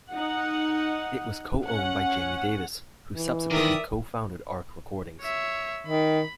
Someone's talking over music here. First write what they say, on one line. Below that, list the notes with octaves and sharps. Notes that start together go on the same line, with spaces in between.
It was co-owned by Jamie Davis, who subsequently co-founded Ark Recordings.
D#4 F#5
C#4 F#5
E3
D#3 A#4 D5 E5 D#6
C#5 E5
D#3 B5